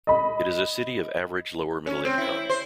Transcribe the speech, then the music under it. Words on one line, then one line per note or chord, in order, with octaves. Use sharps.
It is a city of average, lower middle income.
D#5 B5
C#4
C4
E4
C5